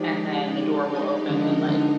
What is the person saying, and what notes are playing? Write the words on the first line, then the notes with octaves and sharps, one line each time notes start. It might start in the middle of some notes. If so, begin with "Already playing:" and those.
And then the door will open, and, like,
Already playing: F3 G#3 D#4 G4 D5
D3 F3 G#3 D#4 A#4 D#5
D3